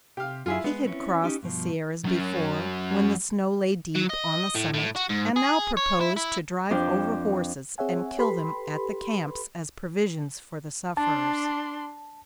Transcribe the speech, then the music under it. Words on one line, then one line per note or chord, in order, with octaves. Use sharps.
He had crossed the Sierras before, when the snow lay deep on the summit, and now proposed to drive over horses and kill them at the camps as provisions for the sufferers.
C3 G4 F5
F#2 E4 F4 G#4
G#3 B3
C4 C#4 E4
C#4 D#4 G4
G2 B2 F3
F#3 C#4
F#3
D#5
A2
A2
F#4
G#2
G#4
C#5
E4
E4
F2 D4 F4 G5
C4 G#4 C#5 E5 F#5 G#5
G4 A4 B4 B5 C6
D4 A5 C6